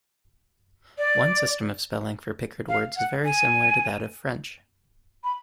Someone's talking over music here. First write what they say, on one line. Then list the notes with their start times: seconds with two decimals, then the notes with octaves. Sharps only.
One system of spelling for Picard words is very similar to that of French.
0.98 D5
2.69 F5
2.97 F#5
3.25 G#5
5.24 B5